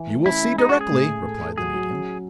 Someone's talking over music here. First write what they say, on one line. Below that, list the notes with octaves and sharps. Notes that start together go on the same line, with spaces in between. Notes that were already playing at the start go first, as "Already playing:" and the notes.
"You will see, directly," replied the medium.
Already playing: E3
A3
C#4 E4
C#4
G#3 D#4
F#4
C#4
G#4
A2
A2
A4
A4
F#3 G#4
F#3
C#4